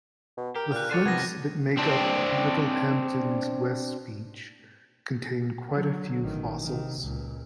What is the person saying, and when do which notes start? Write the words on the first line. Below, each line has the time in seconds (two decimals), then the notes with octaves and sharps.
The flints that make up Littlehampton's West Beach contain quite a few fossils.
0.37 B2
0.55 G4 A#4
0.72 A#2 F6 F#6
0.91 D3 C5 C#5 D6 A6 D#7
1.05 C3 D#3 F3 B3 G#6 A#6
1.78 C4 D4
5.69 D3 F#3
6.22 A1 D#3
6.63 C3 D#3
7.00 C#2 A#2